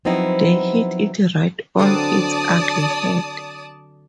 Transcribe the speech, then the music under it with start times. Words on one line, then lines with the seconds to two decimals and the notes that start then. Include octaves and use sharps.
They hit it right on its ugly head.
0.05 F3 F#3 B3 C4 D#4 E4
1.79 D3 F#3 C4 D5 A5 D#6